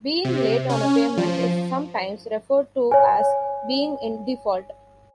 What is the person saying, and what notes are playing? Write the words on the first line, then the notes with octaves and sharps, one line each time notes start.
Being late on a payment is sometimes referred to as being in "default".
C3
C#4
F3
C#5 G#5